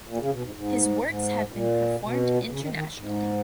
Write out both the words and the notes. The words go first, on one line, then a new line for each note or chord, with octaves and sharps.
His works have been performed internationally.
A#2
C#3
B2
G#2
G#2
G#2
G#2
A#2
B2
A#2
B2
C#3
D#3
D#3
G#2